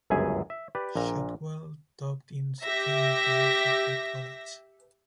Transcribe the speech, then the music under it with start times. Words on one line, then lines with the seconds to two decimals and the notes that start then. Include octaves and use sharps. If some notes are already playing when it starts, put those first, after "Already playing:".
Shotwell taught in Skaneateles after college.
0.10 G1 C#2 F#2 G#4 E5 G#5
0.50 E5
0.75 G4 B4 D5
0.96 A#1 A#2 A#5
2.63 G4 E5 A#6